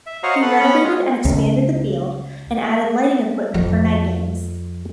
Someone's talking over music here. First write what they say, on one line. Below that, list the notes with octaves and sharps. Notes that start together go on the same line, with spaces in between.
He renovated and expanded the field and added lighting equipment for night games.
E5
F#4 C5 C#5 D#5 F5 A#5
A4 B4 F#5
B3 C#4 C#5 B5
G#3 F4
C#2
F2 F3